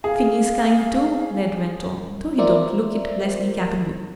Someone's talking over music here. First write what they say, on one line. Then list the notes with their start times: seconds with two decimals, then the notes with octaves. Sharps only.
Finney's kind, too," Ned went on, "though he don't look it, bless me cap and boots!
0.04 G#4 F5
2.38 F4 A#4 C5 D5 E5